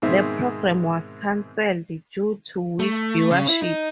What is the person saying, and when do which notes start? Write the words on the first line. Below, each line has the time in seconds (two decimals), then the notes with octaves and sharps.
The program was canceled due to weak viewership.
0.02 G#2 B2 D#3 G#3 C4 E5
2.80 A3
3.30 C#3
3.48 E4
3.62 D#4